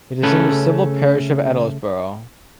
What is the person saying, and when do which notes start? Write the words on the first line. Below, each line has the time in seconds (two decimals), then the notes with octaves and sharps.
It is in the civil parish of Edlesborough.
0.23 C#3 A3 C#4 A4 B4